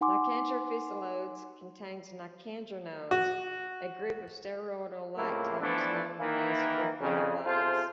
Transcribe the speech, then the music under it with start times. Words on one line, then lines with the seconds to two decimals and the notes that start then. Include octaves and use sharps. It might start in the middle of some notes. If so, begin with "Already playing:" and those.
"Nicandra physalodes" contains nicandrenones, a group of the steroidal lactones known as withanolides.
0.01 D#4 F#5 G#5 C6 D6
3.11 F#4
5.16 C#2 A2 C3 A3 A#3 E4
5.61 E3 F3 A3 B3 D4
6.19 D#3 E3 A#3
7.01 F2 C#3
7.45 C3 F4 G#4 A4 C5